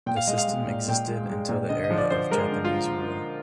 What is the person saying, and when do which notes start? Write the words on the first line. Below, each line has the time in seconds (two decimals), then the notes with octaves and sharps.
The system existed until the era of Japanese rule.
0.06 A#2 G5
0.17 F5
0.27 G#3 D#5
0.38 F5
0.48 G#3
0.68 A#2
0.88 A#2 G5
1.08 G#3
1.29 G#3
1.49 A#2
1.69 D3 D#5
1.84 D#5
1.90 F3
1.98 D5
2.10 D3 C5
2.31 G#3 A#4
2.52 D3
2.65 F4